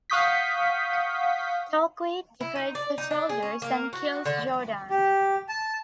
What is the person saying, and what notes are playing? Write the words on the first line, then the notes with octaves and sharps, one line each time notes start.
Torque defeats the soldiers and kills Jordan.
F5 F#5 C#6 D#6 G6 B6
E4
D#4
D5
D#4
D4
G#4
C#4
A#3
F#4
D3
G4
A5